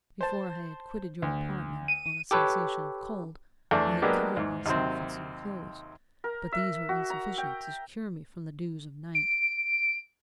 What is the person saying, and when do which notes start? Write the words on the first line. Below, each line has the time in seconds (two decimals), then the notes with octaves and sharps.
Before I had quitted your apartment, on a sensation of cold, I had covered myself with some clothes, but these were insufficient to secure me from the dews of night.
0.21 C5 A5
1.22 D2
1.88 D#7
2.31 G4 A4 B4 C#5
3.71 E2 A3 D4
4.02 F#3 G#3 A#3 B3 D4 G4
4.37 E2 G#2
4.66 D#2 C3 F#3 C4
6.24 A#4
6.52 E5
6.89 F#4
7.10 A#5
7.38 G5
9.15 D7